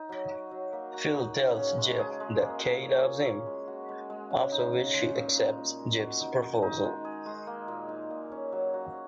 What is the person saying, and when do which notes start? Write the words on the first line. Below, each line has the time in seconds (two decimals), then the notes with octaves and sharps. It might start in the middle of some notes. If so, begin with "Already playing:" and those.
Phil tells Jeff that Kay loves him, after which she accepts Jeff's proposal.
Already playing: D#4
0.09 F#3
0.30 F#4
0.51 F#3
0.73 A#3
0.93 F#4
1.15 D#4
1.35 C#3
1.56 C#4
1.78 G#3
1.99 G#4
2.20 G#3
2.41 A#3
2.62 A#2
2.83 C#4
3.05 A#2
3.25 C#4
3.46 G#3
3.68 F#4
3.89 G#3
4.10 G#3
4.31 C#3
4.52 D#4
4.73 C#3
4.94 G#3
5.15 A#2
5.36 D#4
5.57 A#2
5.78 G#3
5.99 F#4
6.21 D#4
6.42 D#3
6.62 D#4
6.84 G#3
7.05 G#4
7.26 G#3
7.47 A#3
7.68 A#2
7.89 D#4
8.10 A#2
8.32 C#4
8.52 F#3
8.74 F#4